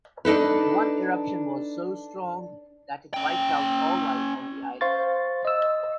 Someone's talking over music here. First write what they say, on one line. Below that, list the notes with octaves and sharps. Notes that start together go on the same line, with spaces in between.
One eruption was so strong that it wiped out all life on the island.
D4 D#4 A4 B4
C#4 G5
C5 F5 C6 C#6 A6
D#5 E6